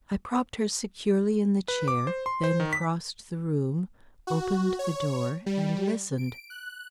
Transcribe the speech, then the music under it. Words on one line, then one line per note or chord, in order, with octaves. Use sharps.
I propped her securely in the chair, then crossed the room, opened the door and listened.
B4
D6
C5
C6
C5
D#3
B6
F#4
C#5
G3
D7
F#6